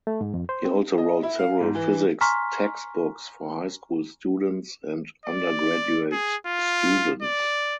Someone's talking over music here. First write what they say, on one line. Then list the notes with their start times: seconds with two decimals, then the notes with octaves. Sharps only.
He also wrote several physics textbooks for high school students and undergraduate students.
0.07 A3
0.21 G#2
0.34 F2
0.49 C5
0.65 C4
0.98 D#5
1.23 E4
1.39 F5
1.61 G#2
1.75 E3
2.21 G#5 A#5 C6 C#6 F6 B6
5.26 D5
6.12 G#4
6.47 F4
7.22 D5